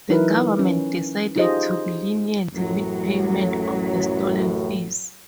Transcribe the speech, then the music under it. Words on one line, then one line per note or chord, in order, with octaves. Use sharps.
The government decided to be lenient with payment of the stolen fees.
E3 F#3 D#4 E4 A#4 B4
C#4
D#4 F4 G4 G#4 C5 D#5
A1 F#2 A2 F#3